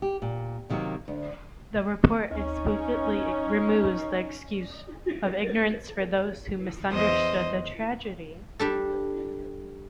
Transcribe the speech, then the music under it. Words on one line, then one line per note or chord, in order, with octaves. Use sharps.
The report explicitly removes the excuse of ignorance for those who misunderstood the tragedy.
G4
A#2
C3 D#3 F#3 A#3
D2
D2 C#4 D#4
E2 C5 D#5
G3 D4 A4